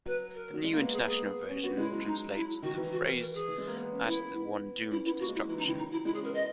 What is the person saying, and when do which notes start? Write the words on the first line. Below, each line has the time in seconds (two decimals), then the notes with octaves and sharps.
The New International Version translates the phrase as the one doomed to destruction.
0.06 F#3 B4
0.34 A#4
0.54 F#3
0.64 G#3
0.73 A#3
0.82 B3
0.92 G#4
1.06 G#4
1.49 C#4
1.63 B3 F#4
1.77 G#3 E4
1.92 F#3
2.05 D#4
2.35 E4
2.62 D#3 F#4
2.77 E3
2.92 F#4
3.05 A#4
3.20 A#4
3.34 G#4
3.48 E3
3.58 G#3
3.67 A#3
3.77 B3
3.91 C#4
4.06 B3 E4
4.20 B3
4.91 C#4 E4
5.05 B3 E4
5.19 A#3 F#4
5.28 G#3
5.34 E4
5.39 F#3
5.48 E3 E4
5.57 C#3 D#4
5.66 D#3 E4
5.77 D#4
5.91 F#3 E4
6.05 G#3 E4
6.14 C#4 G#4
6.24 B3 A#4
6.34 D#5